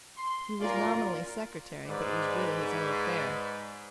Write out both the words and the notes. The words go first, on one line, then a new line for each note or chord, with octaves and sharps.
He was nominally secretary, but it was really his own affair.
C6
A#2 C#4 F4 A#4 D5
G#2 B4 D5